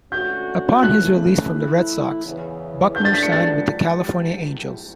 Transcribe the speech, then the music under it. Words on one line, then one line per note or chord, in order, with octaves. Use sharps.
Upon his release from the Red Sox, Buckner signed with the California Angels.
D3 A3 C#4 F#4 G6
C#3 E3 A3 F#6
A2 E3 A3 E4
E2 C#3 E3
F#2 D3 A3 D4 G6
A6
B6
C#7
A6